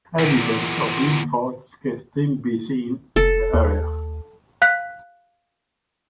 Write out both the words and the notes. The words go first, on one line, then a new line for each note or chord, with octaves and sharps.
Evidence of hill forts can still be seen in the area.
E2 A#2
F1 A4
D#2
F5 F#6 B6